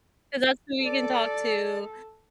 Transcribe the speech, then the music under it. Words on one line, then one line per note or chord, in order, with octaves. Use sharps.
'cause that's who we can talk to
A4 D5